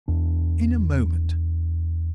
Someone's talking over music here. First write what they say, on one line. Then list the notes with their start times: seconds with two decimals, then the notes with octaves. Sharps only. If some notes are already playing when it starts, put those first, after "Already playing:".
"In a moment."
0.08 E2 D4